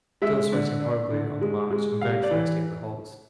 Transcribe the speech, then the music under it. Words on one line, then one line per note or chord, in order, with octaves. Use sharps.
Still sweating horribly on the march and very thirsty at the halts.
G#3 E5
D3
D4
D3
G#3
G#3
C3 F5
D5
E3